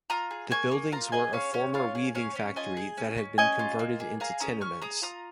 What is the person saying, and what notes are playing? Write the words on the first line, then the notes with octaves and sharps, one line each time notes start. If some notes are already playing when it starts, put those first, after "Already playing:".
The Buildings were a former weaving factory that had been converted into tenements.
F4 A#5 D#6
G#4
A#3 G#5 C#6
A#3
F4 F5 A#5
G#4 D#5 G#5
C#4 C#5 F5
C#4 C#5
F4 C#5 F5
G#4
C#4 C#5 F5
C#4
F4 D#5 G#5
G#4
C#4
C#4
C#4 D#5 G#5
F4
A#3
G#4
G#4 F5 A#5
C#4 A#5 D#6
C#4 C#6 F6
G#4 A#5 D#6
F4 A#5 D#6